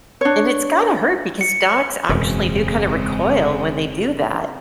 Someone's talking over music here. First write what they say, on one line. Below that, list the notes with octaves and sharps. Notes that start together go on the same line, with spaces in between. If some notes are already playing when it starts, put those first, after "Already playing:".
And it's gotta hurt because dogs actually do kinda recoil when they do that.
D4 C#5
C#7
E1 F#2 C#3 G#3 C4